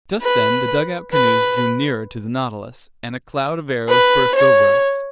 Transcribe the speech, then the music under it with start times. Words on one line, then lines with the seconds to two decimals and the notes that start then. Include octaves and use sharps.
Just then the dugout canoes drew nearer to the Nautilus, and a cloud of arrows burst over us.
0.22 B4
1.14 B4
3.90 B4
4.36 C#5